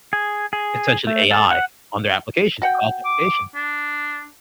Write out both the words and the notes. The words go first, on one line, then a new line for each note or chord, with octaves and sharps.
essentially AI on their applications, their college applications.
G#4
G#4
A3
A4
F#5
F#4 F#5 G5
D6
D4